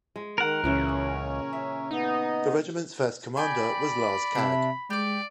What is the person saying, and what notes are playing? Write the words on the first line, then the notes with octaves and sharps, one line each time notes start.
The regiment's first commander was Lars Kagg.
G#3
D#3 A#4 F#5
C#2 A#2 C#3 E3 C#4
E5
B3 D#4 D#5
D5 G5 G#5 B5
C3 D4 E4
G#3 G4 D5 D6